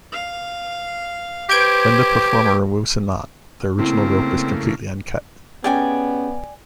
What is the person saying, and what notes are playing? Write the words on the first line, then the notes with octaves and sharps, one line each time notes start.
When the performer removes the knot, the original rope is completely uncut.
F5
G4 B4 C5 G6 G#6 D7
C#3 A3 A#3 C4 E4
B3 C#4 G4 G#4 D5 G5 G#5